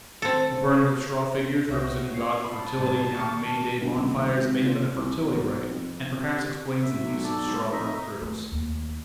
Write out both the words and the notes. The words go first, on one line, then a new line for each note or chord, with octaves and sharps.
The burning of straw figures, representing gods of fertility, on May-Day bonfires may have been a fertility rite, and perhaps explains the use of straw birth-girdles.
C4 A4
C2 C4 F#4 C#5 E5 A#6
F4 C#5 C7
A5 B5
E2 A2 C3 G3
D#3 D4 C#6 F6 C#7
G1
D#1
G#1
A#2
C2
B1
F2
C3
F#2 E5
B1
A4 D5
G#2
F1 D#4 D#5 E5
A3
D#2